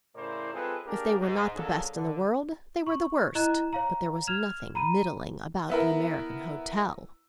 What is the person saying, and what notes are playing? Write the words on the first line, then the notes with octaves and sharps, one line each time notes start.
If they were not the best in the world they were the worst, but there was nothing middling about an American hotel.
A2 C#3 E4 A#4 C5 D5
G#3 C4 F4 G#4 A4 B4
A#3 D4 G4 G#4 A#4
G#2
F#3 A#3 C#4 D4 G#4 A4
D3
C#6
E4 D#5 A#5 F#6 E7
C#5 F5 A#5
F6 G#6 E7 F7
A#5 B5 D#7
B3 E4 A#4